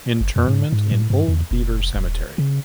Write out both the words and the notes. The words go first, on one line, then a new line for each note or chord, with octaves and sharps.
Interment in Old Beaver Cemetery.
G1
F2
G#2
G#2
A2
G2
E2
F1
D#1
C#3